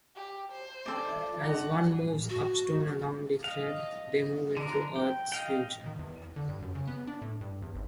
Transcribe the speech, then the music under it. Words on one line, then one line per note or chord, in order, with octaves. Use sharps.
As one moves Upstone along the thread, they move into Earth's future.
G4
C5
A4 D5
F#5
F#4
D#5 F5
D3 F3 D4 A#4
G5
D#5 F5 G5
D#3
E2
D3
G2
F#2
C#3
B3
D4
A2
G2
E2
G#1